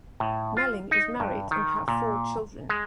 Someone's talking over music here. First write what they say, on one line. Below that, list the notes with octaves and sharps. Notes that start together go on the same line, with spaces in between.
Meling is married and have four children.
A2
F4
D#4
G2
D#3
A#2
G#3